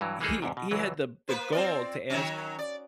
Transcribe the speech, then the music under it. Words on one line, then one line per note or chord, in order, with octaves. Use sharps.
he he had the the gall to ask
G2 E3 F#3
E3 G#3 A#3 D#4 G#4 A4
E2 G#2 C3
B2
C#2 E3 F#3
A#3 B4 C5
C4 F4 D5
D#3 F#3 C#4
D5